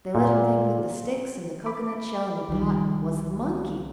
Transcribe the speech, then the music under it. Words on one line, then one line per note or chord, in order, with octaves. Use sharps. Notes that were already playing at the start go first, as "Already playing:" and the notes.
They let him think that the sticks and the cocoanut shell in the pot was the monkey.
A#2
B5 D6
C2 D#3 F3 G3